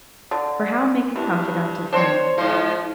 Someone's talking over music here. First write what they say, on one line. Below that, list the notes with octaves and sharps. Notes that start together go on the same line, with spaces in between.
For how make a confidant of him?
D3
G2 E3
C4 D4 C5 C#5
G#2 F3 C5